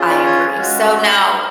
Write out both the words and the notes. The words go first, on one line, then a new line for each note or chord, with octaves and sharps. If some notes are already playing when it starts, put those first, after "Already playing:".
I agree. So now,
Already playing: C#4 F4 G#4
D5
C#5
G#3 C#4 F#4